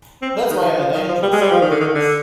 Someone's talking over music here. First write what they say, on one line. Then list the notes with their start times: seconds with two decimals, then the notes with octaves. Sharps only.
That's why I'm an angel Second Class.
0.22 C4
0.36 G3
0.50 D#3
0.65 F3
0.80 F3
0.94 D#3
1.08 F3
1.22 G3
1.32 G#3
1.41 G3
1.51 F3
1.61 D#3
1.71 D3
1.80 D#3
1.94 D3